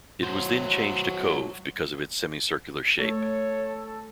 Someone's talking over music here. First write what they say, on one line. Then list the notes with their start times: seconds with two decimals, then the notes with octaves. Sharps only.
It was then changed to Cove because of its semicircular shape.
0.22 F#3 C5
3.00 A3 A4 C#5